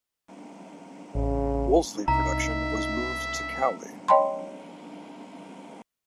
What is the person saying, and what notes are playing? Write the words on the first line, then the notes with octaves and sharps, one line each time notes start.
Wolseley production was moved to Cowley.
A1 C#3
C2 D#4 E5 A#5
C#5 D#5 G5 A5 B5 C6